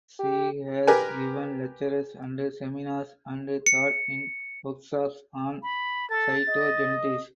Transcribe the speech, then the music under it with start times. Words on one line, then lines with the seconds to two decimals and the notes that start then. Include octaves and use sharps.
She has given lectures and seminars and taught in workshops on cytogenetics.
0.19 G4
0.87 G4 A#4 B4 G#5
3.66 C#7
5.63 B5
6.10 A4 A6
6.48 D#5